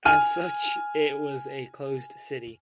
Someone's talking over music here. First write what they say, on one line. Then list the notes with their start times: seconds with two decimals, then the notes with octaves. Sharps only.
As such it was a closed city.
0.05 G#5 F6 D#7